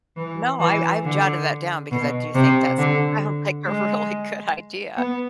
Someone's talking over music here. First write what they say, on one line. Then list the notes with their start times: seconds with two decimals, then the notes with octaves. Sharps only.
No. I I've jotted that down because I do think that sounds like a really good idea.
0.17 E3
0.60 E3
1.04 D3
1.91 B2
2.35 C3
2.78 D3
3.66 G#3
4.97 B3